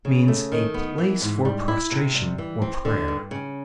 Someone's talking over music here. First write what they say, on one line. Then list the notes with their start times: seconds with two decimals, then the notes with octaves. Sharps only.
It means a place for prostration or prayer.
0.05 C#3
0.28 A3
0.52 D#3
0.74 B3
0.98 E3
1.22 G#2
1.45 G3
1.68 E4
1.91 C3
2.15 G3
2.38 E3
2.62 C4
2.85 D3
3.08 G2
3.31 C#3